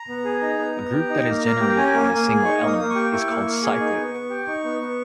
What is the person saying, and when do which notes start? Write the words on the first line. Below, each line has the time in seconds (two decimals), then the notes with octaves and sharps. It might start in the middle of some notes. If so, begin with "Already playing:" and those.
A group that is generated by a single element is called cyclic.
Already playing: A#5
0.08 B3
0.25 G#4
0.42 D#4 A#5
0.59 B3
0.76 B3
0.93 G4
1.09 D#4
1.26 A#3
1.44 A#3
1.60 G4
1.77 C#4 G#5
1.94 A#3
2.11 A#3
2.28 G#4
2.45 D#4 C#6
2.62 A#3
2.67 D#6
2.78 A#3
2.90 C#6
2.95 G4
3.12 E4 C#6
3.29 A#3
3.46 A#3
3.63 G#4
3.80 D#4
3.97 B3
4.14 B3
4.30 G4
4.47 D#4 C#6
4.64 B3
4.81 B3